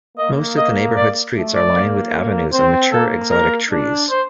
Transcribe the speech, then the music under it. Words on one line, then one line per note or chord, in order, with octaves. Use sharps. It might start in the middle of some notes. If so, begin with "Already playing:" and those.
Most of the neighbourhood's streets are lined with avenues of mature exotic trees.
A#3 D#5
D#5
D5
A3
D5
A#3
C4 C5
A#3 A4
A#4
D4
C5